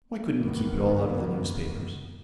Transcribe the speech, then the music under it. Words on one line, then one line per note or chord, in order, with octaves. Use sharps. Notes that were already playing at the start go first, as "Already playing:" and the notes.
"Why couldn't you keep it all out of the newspapers?"
F#1 C2 D#3 E3 A#3 B3